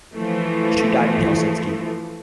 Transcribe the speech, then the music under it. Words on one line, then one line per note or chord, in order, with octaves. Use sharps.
She died in Helsinki.
E3 F3 A3